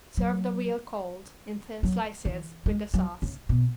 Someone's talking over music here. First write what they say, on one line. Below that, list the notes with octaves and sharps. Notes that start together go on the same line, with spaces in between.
Serve the veal cold, in thin slices, with the sauce.
F#3
F#3
E3
G#3
F#3
C#3
B2